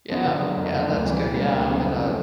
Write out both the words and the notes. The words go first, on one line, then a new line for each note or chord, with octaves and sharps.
Yeah, yeah, that's good yeah, I'm in a
F3 G#3 B3
D3
F#3 A#3
F2
D3 F#3 A#3
D2
C#3 E3 G3 C4
B2
G3 A#3 D4
D2
C#3 F#3 B3 E4
F2
C#3 F#3 A3 C4